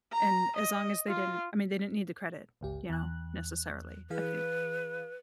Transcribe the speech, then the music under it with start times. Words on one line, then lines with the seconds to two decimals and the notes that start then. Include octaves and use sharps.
And as long as they didn't I mean, they didn't need the credit, you know, necessarily, I think.
0.12 A#5
0.57 D#5
1.08 F4
2.61 G1 C#2 G4
2.89 E2 F#6
4.10 E3 G#4 B4 F5